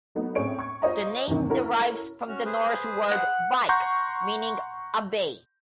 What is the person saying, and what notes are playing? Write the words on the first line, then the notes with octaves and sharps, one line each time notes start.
The name derives from the Norse word "Vik" meaning 'a bay'.
F#3 A3 B3 D#4
A2 C4 C#4 G#4 C#5 D7
C#6 G#6
F4 C5 C#5 D#5 A#5
E2 G2 C3 D#3
C#4 E4 F#4 A4 A#4 A#5
C#4 F#4 F6
G#4 B4 C5
F#5
F#5 A#5 C6 C#6 G6